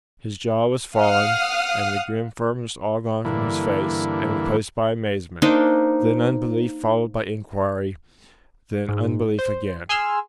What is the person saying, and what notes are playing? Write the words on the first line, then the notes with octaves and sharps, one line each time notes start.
His jaw was fallen and the grim firmness all gone from his face, and replaced by amazement, then unbelief followed by inquiry; then unbelief again.
F5 F#5 D#6 F6
G2 D3 E3 A#3 E4
A#3 D4 D#4 C5
G#2
C5
G#4 G#5 C6 E6 F6